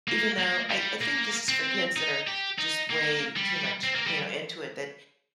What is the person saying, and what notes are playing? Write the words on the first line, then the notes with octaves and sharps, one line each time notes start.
even though I I think this is for kids that are just way too much, you know, into it that
A#3
A#3
G3
A#3
C4
D#4
G4
D#4
A#3
G3
C4
A#3
G3